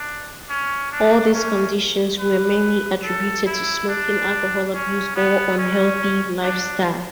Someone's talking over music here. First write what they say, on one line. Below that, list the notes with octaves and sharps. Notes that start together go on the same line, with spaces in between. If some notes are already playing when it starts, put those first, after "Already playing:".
All these conditions were mainly attributed to smoking, alcohol abuse or unhealthy lifestyle.
Already playing: D4
C#4
D4
C#4
B4
A4
E4
D4
C#4
B3
C#4
D4